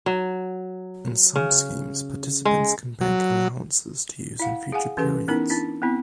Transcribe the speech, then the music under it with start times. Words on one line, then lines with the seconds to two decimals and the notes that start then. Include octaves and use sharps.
In some schemes, participants can bank allowances to use in future periods.
0.06 F#3
1.36 C#3
2.45 G#3
3.01 F#3
4.40 E4 F5 F#5
4.72 G#4 F5 F#5 G#5
4.97 E3 C#4 G4 A4 B4
5.28 B3 C#4 D#4 E4 A#4
5.50 D4 E4
5.82 B3 C4 E4